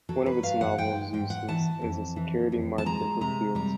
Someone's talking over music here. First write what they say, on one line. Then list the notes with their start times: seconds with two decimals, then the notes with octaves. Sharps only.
One of its novel uses is a security marker for fuels.
0.09 F#3 A4
0.26 B4
0.43 G2 F5
0.61 F#5
0.78 G#3 G5
1.13 G#2 G5
1.30 F#5
1.48 E3 A5
1.82 F2
2.16 E3
2.52 F2
2.78 A5
2.86 G#3 A#5
3.21 C3 A#5
3.55 G3 A#5